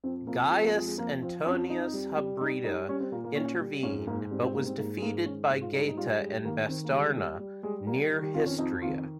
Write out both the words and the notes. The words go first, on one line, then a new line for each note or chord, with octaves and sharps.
Gaius Antonius Hybrida intervened, but was defeated by Getae and Bastarnae near Histria.
F2 C4
F2 A#3
F3 G#3
A#3
F2 G#3
G#3
F3 A#3
F3 C4
F2 C#4
F2 D#4
G3
G3
G3 D#4
G3 D#4
G3 C#4
C4
A#2 A#3
A#3
A#2 C#4
G3
G#2 C#4
G#2 A#3
G3 C4
C4
G#2 A#3
C4
G#2 A#3
G#3
G#2 A#3
G#2 C#4
G#2 G#4
F4
G3 D#4
D#4
G3 F4
G2 G#3
D#3 A#3
D#3 C4
A#3
G3
G#3
G3
G3
G3 G#3
G3 A#3
D#3
G4
F2 F4
C#4
F2 D#4
D#3 F4